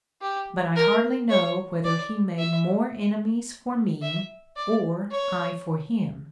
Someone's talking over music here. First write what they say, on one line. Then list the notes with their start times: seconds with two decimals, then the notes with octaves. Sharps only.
But I hardly know whether he made more enemies for me or I for him.
0.22 G4
0.76 A#4
1.30 C#5
1.84 D5
2.39 E5
4.02 E5
4.57 D5
5.11 C#5